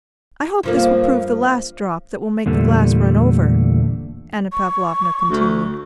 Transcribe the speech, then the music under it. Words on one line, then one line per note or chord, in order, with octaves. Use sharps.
"I hope this will prove the last drop that will make the glass run over," Anna Pavlovna continued.
G2 F3 A#3
E2 A#2 D3 G3 A3
C#6
D2